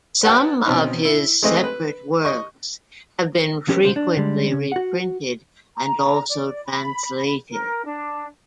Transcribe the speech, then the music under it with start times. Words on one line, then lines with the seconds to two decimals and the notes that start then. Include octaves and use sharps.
Some of his separate works have been frequently reprinted and also translated.
0.23 B4 C#5 F#5 G5 A5
0.66 B2 C4 C#4 D#4
1.05 E4
1.43 G#3 A3 C4 B4 D#5
1.64 B4
2.25 D#5 C#6
3.68 F3 C#4 G4 A4 A#4 C5
3.83 B1 C#3 F#3 G#3 C5
3.96 D4
4.17 D3 G3 G#3
4.52 C#3 C#4
4.72 F#4 F#5
5.76 A#5
6.28 D5
6.65 B5
7.49 A#4
7.85 D4